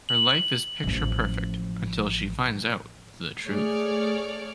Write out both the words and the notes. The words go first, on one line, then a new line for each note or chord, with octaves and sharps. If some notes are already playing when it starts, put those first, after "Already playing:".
Her life is picture perfect until she finds out the truth.
F#7
A1 F3
A3 G#4 C#5 D5 F6